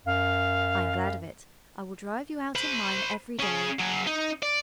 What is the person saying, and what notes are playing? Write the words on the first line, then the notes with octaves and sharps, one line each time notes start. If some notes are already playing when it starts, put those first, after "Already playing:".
"I am glad of it; I will drive you out in mine every day."
F#2 F5
C5 B5
C#4 G#4
F#3 G#4
D#4
D5